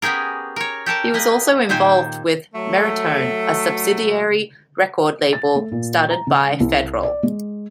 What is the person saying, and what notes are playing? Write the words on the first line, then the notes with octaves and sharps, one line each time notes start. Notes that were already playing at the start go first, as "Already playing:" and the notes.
He was also involved with Merritone, a subsidiary record label started by Federal.
B3 C#4 G4 G#4 A#4
A#4 C#5
G4 A4 A#4 A5
A#3 B4 D#5
A#2 D#3 G4 C5 G#5
F#3 A3
A6
A3
A#2
A#5
C#3
C2
D5
G#3